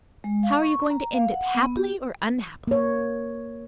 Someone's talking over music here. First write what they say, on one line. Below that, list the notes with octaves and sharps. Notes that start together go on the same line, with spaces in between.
"How are you going to end it--happily or unhappily?"
G#3
F5
C#6
A#5
F5
F#5
B3
G4
A#3 C#5